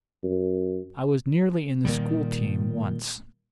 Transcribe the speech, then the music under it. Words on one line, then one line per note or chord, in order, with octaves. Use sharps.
I was nearly in the school team once.
F#2
A#2 D#3 G3